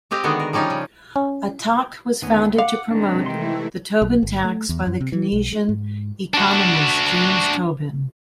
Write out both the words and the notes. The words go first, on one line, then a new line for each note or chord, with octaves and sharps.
Attac was founded to promote the Tobin tax by the Keynesian economist James Tobin.
G#3 C4 G4 D#5 F5
D3 D#3 G#3 B3 F#4 G#4
A#4
F3 G3 C#4 D#4 F4
C#3
C#4
D2 D#3 B3 C#4
F5 F#5 D6
C3 D#3 G#3 D4
E3 A3 E4 G5 C6
B1
G1
A3
E2
F#2
C3
E3
B1
G#3
G#2
D4 F#4